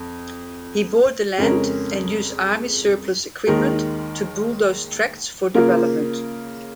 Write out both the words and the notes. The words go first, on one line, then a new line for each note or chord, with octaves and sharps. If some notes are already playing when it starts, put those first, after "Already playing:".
He bought the land and used army surplus equipment to bulldoze tracts for development.
Already playing: F2
F2 C#3 G#3 C#4 A#4
D#2 D#3 G#3 D#4 A#4
C#3 A#3 F4 A#4